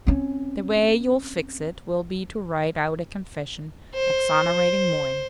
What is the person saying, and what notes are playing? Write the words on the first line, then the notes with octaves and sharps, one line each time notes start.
"The way you'll fix it will be to write out a confession exonerating Moyne."
C4 C#4
C5